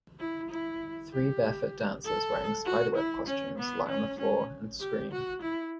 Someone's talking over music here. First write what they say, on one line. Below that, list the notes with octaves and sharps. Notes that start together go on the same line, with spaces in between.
Three barefoot dancers wearing spiderweb costumes lie on the floor and scream.
E4
E4
G4
A4
F#4
E4
C#4
B3
C#4
C#4
G4
F#4
E4